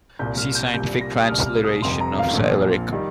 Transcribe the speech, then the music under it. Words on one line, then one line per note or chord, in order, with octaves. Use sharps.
See Scientific transliteration of Cyrillic.
C2 A#2 G3 G6
F6
G6
C2 A#2 G3 G6
A#6
D#6
C2 A#2 G3 F6
F6
D#6
F1 F2 C3 C6
A#5
F5
A#1 A#2 F3
D#3 G3